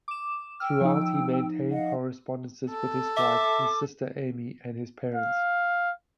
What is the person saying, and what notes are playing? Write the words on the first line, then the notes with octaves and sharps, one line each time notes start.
Throughout, he maintained correspondences with his wife, his sister Amy, and his parents.
D6 E7
G5 E6 F6
F3 D#4
D#5 F5 F#5
A4
E5 D6
F5